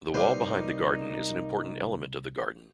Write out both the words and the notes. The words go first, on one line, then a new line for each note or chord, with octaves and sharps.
The wall behind the garden is an important element of the garden.
C2 G3 A#3 D#4 B4 C5